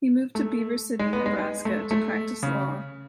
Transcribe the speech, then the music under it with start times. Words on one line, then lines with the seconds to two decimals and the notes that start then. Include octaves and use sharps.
He moved to Beaver City, Nebraska to practice law.
0.35 A3
0.99 G#3
1.13 B3
1.26 G#3
1.39 G#3
1.65 A3
1.91 A3
2.43 C#3